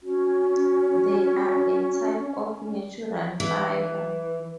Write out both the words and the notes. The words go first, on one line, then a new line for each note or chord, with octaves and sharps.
They are a type of natural fiber.
C#4 F#4
E3